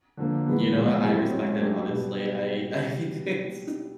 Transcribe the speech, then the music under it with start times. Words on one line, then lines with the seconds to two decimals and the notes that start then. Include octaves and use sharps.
You know what? I respect it, honestly. I I think it's
0.17 D3 F3 A#3
0.46 E3 G#3 B3
0.75 A#2 F3 G#3 C#4
1.03 F#3 A3 C4 E4 G4
1.31 G#3 C#4 F4 G#4
1.59 F#3 A3 D4 G4
1.87 B2 G3 B3